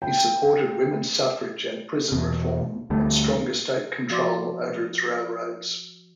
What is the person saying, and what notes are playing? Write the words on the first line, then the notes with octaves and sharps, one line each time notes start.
He supported women's suffrage and prison reform, and stronger state control over its railroads.
G5
E2 B2
D2 G3 A3
F3 F#4 D5 C6 D6 A6